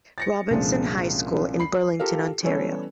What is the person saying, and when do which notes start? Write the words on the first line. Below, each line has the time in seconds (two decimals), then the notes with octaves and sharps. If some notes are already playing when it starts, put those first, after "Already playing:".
Robinson High School in Burlington, Ontario.
0.18 A6 A#6 C#7
0.51 C2 F#2 A#2 D3 F3 G#3
1.59 B5 C7
1.99 F4 G4 A4 A#4 F5
2.43 E3 G3 B3 C#4 A4 C#5